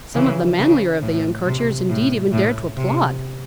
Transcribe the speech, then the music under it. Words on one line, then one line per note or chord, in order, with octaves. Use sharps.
Some of the manlier of the young courtiers indeed even dared to applaud.
C#3 E3
C#3
A2
C3
A2
A2
C3